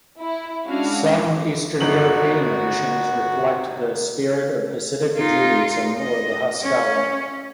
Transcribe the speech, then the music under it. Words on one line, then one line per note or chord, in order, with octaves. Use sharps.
Some East European editions reflect the spirit of Hasidic Judaism or the Haskalah.
E4
G#3 C#4 D4 E4 F#4 F5
G1 D#4 F#4 F#7
D#4 F4
D#5
C#4